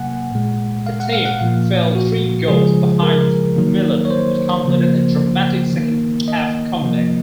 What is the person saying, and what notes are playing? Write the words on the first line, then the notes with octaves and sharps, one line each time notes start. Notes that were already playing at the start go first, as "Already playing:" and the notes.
The team fell three goals behind Milan but completed a dramatic second-half comeback.
Already playing: C3 F#3 A#3 F#5 G#5
A#2 G#3
F5
F#5
F5
F#5
A#2 F3 A#3 F5
F#4
C#3 F3 G#3 G#4
A#4
D#3 F#3 A#3
C#5
C5
C#3 F3 A#3
D#3 A#3
D#5
C3 F3 A#3